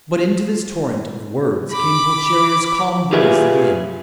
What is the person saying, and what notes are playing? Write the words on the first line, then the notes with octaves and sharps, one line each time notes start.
But into this torrent of words came Pulcheria's calm voice again.
B5 D6
F4 G4 G#4 B4 E5